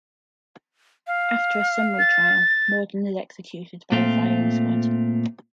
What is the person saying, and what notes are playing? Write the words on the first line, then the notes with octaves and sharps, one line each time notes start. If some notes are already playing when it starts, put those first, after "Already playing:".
After a summary trial, Morden is executed by a firing squad.
F5
A6
A#2 A3 C4 F4